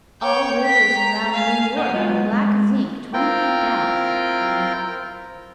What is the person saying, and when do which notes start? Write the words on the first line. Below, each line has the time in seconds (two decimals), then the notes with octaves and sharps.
"All rivers around New York are black as ink twenty feet down," remarked Atkinson.
0.22 C#5 G5
0.62 G5 B6
0.97 A#5
1.33 F5 G#5
1.77 C5 D#5 F#5 G#5
1.94 G#3 A3 B3 D#4 F4 F#4
2.33 G#3
3.13 C4 E4 F4 A#4 G5